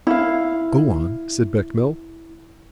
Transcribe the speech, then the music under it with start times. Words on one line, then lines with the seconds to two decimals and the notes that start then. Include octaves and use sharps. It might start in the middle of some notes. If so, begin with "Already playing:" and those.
"Go on," said Bechamel.
0.07 E4 F5